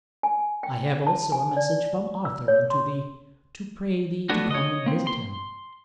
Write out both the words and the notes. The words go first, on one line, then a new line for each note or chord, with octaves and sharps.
I have also a message from Arthur unto thee, to pray thee to come and visit him.
G#5
G5
A5
G#5
D5
E6
C#5
C6
A3 B3 D4 F#4
C#5 D#5
A#3 C4
C6